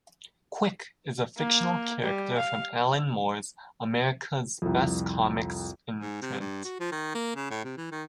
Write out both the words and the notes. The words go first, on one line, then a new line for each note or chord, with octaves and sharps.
Quick is a fictional character from Alan Moore's America's Best Comics imprint.
A#3
G3
F5
C2 F2
G#2
C3
G2
F#4
F3
D#3
A#3
C#3
A2
C3
E3
D#3